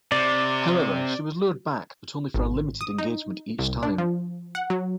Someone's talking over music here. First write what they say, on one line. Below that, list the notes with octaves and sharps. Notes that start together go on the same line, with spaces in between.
However, she was lured back, but only for a limited engagement each time.
C3 D5
G#1
D#6
D#4
C2
D4
F3
F#5
F#3